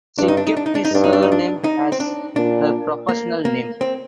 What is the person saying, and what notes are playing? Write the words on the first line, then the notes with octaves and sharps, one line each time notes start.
She kept his surname as her professional name.
G2 D4
D#4
D4
D#4
D4
D#4
D4
D#4
G2 D4
D#4
D4
D#4
D4
D#4
C4
D4
A#2 D4
A#3
A#3
C4